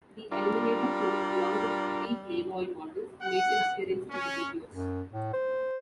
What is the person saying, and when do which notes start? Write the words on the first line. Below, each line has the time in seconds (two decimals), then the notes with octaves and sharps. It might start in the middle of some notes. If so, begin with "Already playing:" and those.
The "Eliminator" coupe, along with three "Playboy" models, made an appearance in the videos.
0.32 G3 D4 F4 A#4
3.22 F#5
4.11 C#4
4.73 F#2
5.11 A2
5.33 C5